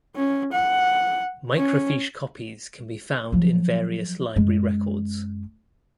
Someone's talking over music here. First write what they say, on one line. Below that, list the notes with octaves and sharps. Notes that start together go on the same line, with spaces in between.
Microfiche copies can be found in various library records.
C#4
F#5
C#4
F3 F#3
F#2 G#3